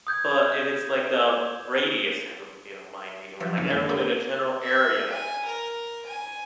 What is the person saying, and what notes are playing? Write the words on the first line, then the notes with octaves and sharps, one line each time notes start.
but if it's, like, the radius type of, you know, mind reading where, like, everyone in a general area,
D#6 G6 G#6
F3 F#3 B4 E5 A#6 B6
F#2 C#3 A#3 C#4 D4 E4
D#3 G#3 E4 A6
A#3 D4 G4 A#4
E5
G#5
A#4
G#5